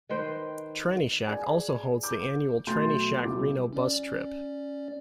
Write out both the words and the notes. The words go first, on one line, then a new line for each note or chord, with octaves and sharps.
Trannyshack also holds the annual Trannyshack Reno bus trip.
D#3 B4 C5 G5
G#4 D5 G#5
D6 G6
B2 F#3 A3 C6 G6 A6
C2 B2 G#4 D6
C#4 D5